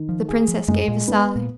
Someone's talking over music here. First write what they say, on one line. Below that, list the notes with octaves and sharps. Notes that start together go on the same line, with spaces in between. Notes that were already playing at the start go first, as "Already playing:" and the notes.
The princess gave a sigh.
Already playing: D#3
F3
G#4
F3
F#2 G#3
A#2
B3
A#2